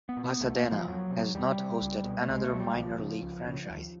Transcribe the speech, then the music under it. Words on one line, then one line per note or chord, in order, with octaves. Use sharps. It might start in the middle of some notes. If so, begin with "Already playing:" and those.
Pasadena has not hosted another minor league franchise.
B3
A#2
B3
C2 A3
A#3
A#2
F3
E2 F#3
C3
E2 G3
C3
C#2
B2
A3
C#2 G#3
A3
B2 F#3
G3
C#2 F3
C#3
C#2
C#3
D#2